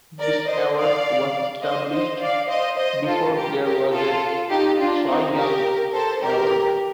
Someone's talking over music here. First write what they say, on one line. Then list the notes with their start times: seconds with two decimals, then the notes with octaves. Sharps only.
This award was established before there was a Cy Young Award.
0.19 A#4 D5
0.48 C5 D#5
0.76 D5 F5
1.63 C5 D#5
1.91 C5 D#5
2.20 D5 F5
2.49 C5 D#5
2.77 C5 D#5
3.06 F4 A4
3.35 G4 A#4
3.64 G4 A#4
3.92 F4 A4
4.49 D#4 G4
4.78 D4 F4
5.07 C4 D#4
5.36 G4 A#4
5.93 A4 C5
6.22 G4 A#4